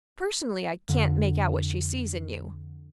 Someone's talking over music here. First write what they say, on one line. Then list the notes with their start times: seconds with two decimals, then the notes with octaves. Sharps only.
Personally, I can't make out what she sees in you.
0.89 F2 D3